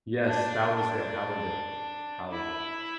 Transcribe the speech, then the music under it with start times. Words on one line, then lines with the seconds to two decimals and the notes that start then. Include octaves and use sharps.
Yes, that was it, Halibut. Halibut.
0.25 D4
0.77 D4
2.32 E4